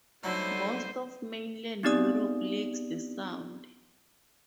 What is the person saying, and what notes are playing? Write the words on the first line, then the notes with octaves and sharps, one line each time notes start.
Most of Mainland Europe lacks the sound.
D3 F#3 G3 A3 D#4 E4 C5
B3 C4 D#4 G4 D5 D#6